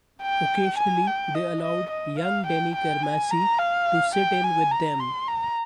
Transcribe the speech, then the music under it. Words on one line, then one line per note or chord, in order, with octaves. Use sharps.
Occasionally they allowed young Denny Carmassi to sit in with them.
G5
G#5
G5
D#5
D#5
D#5
F5
G5
G5
G#5
A#5
F5
G5
G#5
A#5
C6
A#5